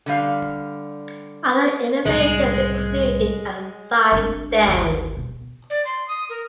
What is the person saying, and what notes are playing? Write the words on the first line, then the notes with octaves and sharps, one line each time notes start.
Other innovations included a side stand.
D3 G3 F5
C2 A2 C#3 G#3
G#1 D4
G#1 D#2
B2
D5
C6
D#6
A#4